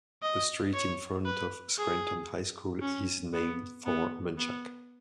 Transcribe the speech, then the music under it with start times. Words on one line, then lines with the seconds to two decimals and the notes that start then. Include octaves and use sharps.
The street in front of Scranton High School is named for Munchak.
0.22 D#5
0.74 C#5
1.25 B4
1.78 G#4
2.81 C#4
3.34 B3
3.86 B3
4.38 B3